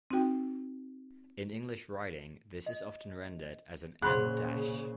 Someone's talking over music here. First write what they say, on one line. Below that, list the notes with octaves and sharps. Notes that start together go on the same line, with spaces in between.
In English writing, this is often rendered as an em dash.
C4 D#4 F#4 G5
D#5
A#2 C#3 G#4 C5 F#5 B5 C6 F#6